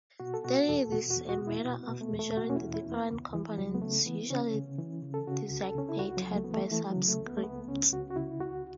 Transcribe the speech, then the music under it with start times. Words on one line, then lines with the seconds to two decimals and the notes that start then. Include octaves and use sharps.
Then it is a matter of measuring the different components, usually designated by subscripts.
0.20 B2 F#4
0.34 A4
0.45 B2 F#4
0.68 E2 A4
0.92 B2 F#4
1.10 F#4
1.17 E2
1.29 F#4
1.41 B2
1.47 E4
1.65 B2
1.83 B3
1.89 B2
2.01 A3
2.13 E2
2.19 A3
2.37 B2 F#4
2.50 C#4
2.56 E4
2.62 E2
2.74 E4
2.85 E2
2.92 B3
3.10 C#2
3.34 E3
3.57 C#2 F#3
3.74 B3
3.82 C#3 A3
4.06 E3 B3
4.30 C#3 C#4
4.54 C#3
4.78 E3
5.03 C#3
5.14 A4
5.27 C#3 F#4
5.51 C#2
5.63 A4
5.75 C#3 C#4
5.89 E4
5.99 C#2 F#4
6.17 F#3
6.23 C#2
6.36 A3
6.44 E3 B3
6.54 A3
6.71 E3 A3
6.90 F#3
6.96 C#3
7.09 A3
7.21 C#2
7.27 B3
7.37 A3
7.44 C#2 B3
7.68 C#2 C#4
7.92 C#2 F#4
8.11 F#4
8.16 C#3 E4
8.40 C#2 F#4